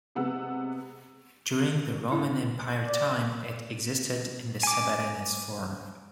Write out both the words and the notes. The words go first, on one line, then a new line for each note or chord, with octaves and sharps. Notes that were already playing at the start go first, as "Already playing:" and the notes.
During the Roman Empire time, it existed in the Sabbatinus form.
C3 G#3 B3 F#5 E6
E4
D5
G#5 D6